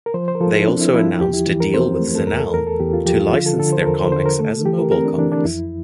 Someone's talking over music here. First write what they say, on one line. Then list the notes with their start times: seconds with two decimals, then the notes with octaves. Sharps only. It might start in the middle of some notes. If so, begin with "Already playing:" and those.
They also announced a deal with Zannel to license their comics as mobile comics.
0.06 A#4
0.14 F3 C5
0.28 C5
0.35 A#4
0.41 F3 A4
0.54 E4
0.67 C4 D4
0.81 E4
0.94 F3 E4
1.07 F4
1.20 E2 G4
1.34 E4
1.47 E3
1.60 A#4
1.74 C4 C5
2.00 A3
2.15 A4
2.27 E2 A#4
2.40 A4
2.53 E2 A#4
2.67 A4
2.80 E2 G4
2.94 F4
3.06 F3 G4
3.20 F4
3.33 D3 F4
3.46 A4
3.59 D3 A4
3.72 C5
3.81 A4
3.86 E2 A#4
3.99 C5
4.12 D3 C5
4.26 A#4
4.39 A3 A4
4.65 E3 G4
4.78 A#4
4.92 C4 A#4
5.05 D4
5.18 E3 D4
5.32 D4
5.45 F2 E4